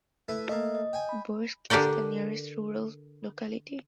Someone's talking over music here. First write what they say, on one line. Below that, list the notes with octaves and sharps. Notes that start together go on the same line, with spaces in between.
Birsk is the nearest rural locality.
A3 E4 B4
A3 A#3 D#5
D#5
G5 G#5
B5
D3 D4 G4 A#4 D5 G5